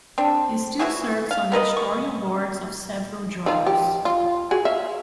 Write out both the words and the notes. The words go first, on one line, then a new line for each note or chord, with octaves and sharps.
He still serves on the editorial boards of several journals.
C4 D4
E3 E4 F#4 G#4
F5
B3 A#4 B4 D#5
C#6
D#3 F3 F4
G4
F4
F#4 G#4
E5 F5